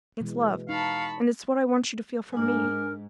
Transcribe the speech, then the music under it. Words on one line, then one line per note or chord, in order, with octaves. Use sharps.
It's love, and it's what I want you to feel for me.
B2 E3 G#3
D#4 F5 A5 B5 C#6
G#2 D4 A#4 G#5